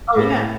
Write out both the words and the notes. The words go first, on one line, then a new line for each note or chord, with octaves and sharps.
Oh, yeah.
A2